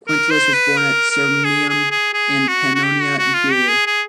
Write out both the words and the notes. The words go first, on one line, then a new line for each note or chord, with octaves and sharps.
Quintillus was born at Sirmium in Pannonia Inferior.
A#4
C5
B4
A#4
A#4
G#4
G#4
G#4
G#4
F#4
F#4
G4
F#4
F#4
F4
G4
G#4
G#4